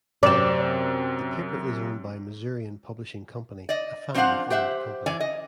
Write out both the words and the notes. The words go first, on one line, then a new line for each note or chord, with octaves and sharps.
The paper is owned by Missourian Publishing Company, a family-owned company.
F#2 C3 C4 D5 E7
D5 D#5
F3 C4 D4 C5 F5 F#5
G4 C5 E5 F#5
E3 D5 G#5
D#5